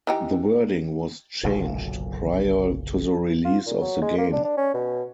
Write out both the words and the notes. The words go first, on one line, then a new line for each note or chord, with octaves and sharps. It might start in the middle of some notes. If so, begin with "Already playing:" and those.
The wording was changed prior to the release of the game.
E3 D#4 G4
F#1 B1 A#2 D3
F4
A#2
F#3
G#3
A#3
D4
D4
C#4
B2